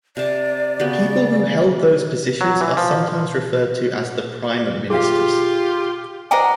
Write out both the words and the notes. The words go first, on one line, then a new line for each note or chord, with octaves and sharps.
People who held those positions are sometimes referred to as the prime ministers.
C3 D5 A5
C#3 B3 F#4 G4
F#3
E3
F3
F4 G4 G#4 F5
C5 D5 D#5 F#5 G#5 A#5